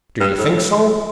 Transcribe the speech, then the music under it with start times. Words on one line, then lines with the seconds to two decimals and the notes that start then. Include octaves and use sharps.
"Do you think so?"
0.20 G2
0.38 A2